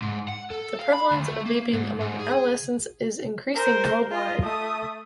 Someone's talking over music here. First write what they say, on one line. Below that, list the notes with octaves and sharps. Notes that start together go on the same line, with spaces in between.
The prevalence of vaping among adolescents is increasing worldwide.
G#2
F#5
A4
F5
B5
D2
A3
A#3
G#2
G#2
G#4
A#4 C5
F4 D#5
A3 D#6